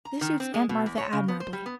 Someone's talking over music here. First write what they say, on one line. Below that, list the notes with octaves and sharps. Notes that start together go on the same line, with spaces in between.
This suits Aunt Martha admirably.
A#5
D#3
C4
G#3
B2
E2
C#5
C#3
B3
C5
G3
B3